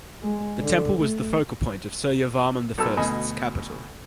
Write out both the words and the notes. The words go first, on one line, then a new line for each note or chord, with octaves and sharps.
The temple was the focal point of Suryavarman the First's capital.
G#3
D3
A3
B1 A4 A5 E6
D2 B2 D#5 G#5 B5